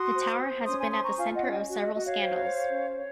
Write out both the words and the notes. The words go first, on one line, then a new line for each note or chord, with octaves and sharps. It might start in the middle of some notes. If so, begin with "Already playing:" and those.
The tower has been at the centre of several scandals.
Already playing: F#4 C6 D#6
C5
C5
C#4 C6 D#6
G#5 C6
C5 C6 D#6
A#5 C#6
F4 F5 G#5
D#5 F#5
C#4 C#5
D#5
F#4
D#5
F#4 D#5
C#5 F5
C5
C5
C#4
C#5